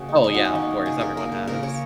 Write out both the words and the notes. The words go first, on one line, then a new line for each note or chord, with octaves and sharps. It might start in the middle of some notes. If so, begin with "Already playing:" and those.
Oh, yeah, of course. Everyone has.
Already playing: C#3 A#3 F#4
G#3
D#3 D#4
F#4
D#3
C#4
A#3 D#4
A#3
C#3 G#4
C#3 A#4
A#3 A#4
A#3
C#3 A#4
C#3 C#5